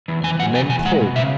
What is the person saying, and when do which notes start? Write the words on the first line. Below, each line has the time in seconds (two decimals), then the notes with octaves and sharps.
The men pulled.
0.08 E2
0.24 E3 G#5
0.39 F#2 F#5
0.55 B2 G#5
0.70 E2 G#5
0.85 G#3 F#5
1.01 B2
1.16 C#3 E5